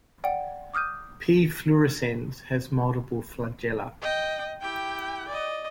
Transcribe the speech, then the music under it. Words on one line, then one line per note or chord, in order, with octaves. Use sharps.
"P. fluorescens" has multiple flagella.
D5 F#5 G5
D6 D#6 F6 G6 D#7
D#5 G5
E4 G4 G5
D5 D#5